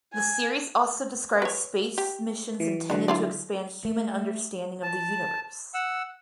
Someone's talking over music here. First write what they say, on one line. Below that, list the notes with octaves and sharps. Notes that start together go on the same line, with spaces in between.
The series also describes space missions intended to expand human understanding of the universe.
G#5
B4 C#5
G4
E3
D3 F#3 D4 B4
E4 F4 D5
A3
A5
F#5 E6